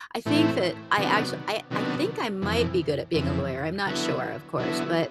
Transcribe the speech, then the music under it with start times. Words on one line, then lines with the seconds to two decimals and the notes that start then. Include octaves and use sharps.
I think that I actua I I think I might be good at being a lawyer, I'm not sure, of course, but
0.26 A2 E3 A3 C4 E4
0.97 C3 D#3 F#3 B3 D4
1.70 C3 D#3 F#3 B3 D4
2.42 F2 C3 E3
3.14 F2 C3 E3
3.86 D3 F#3 B3 E4
4.58 D3 F#3 B3 E4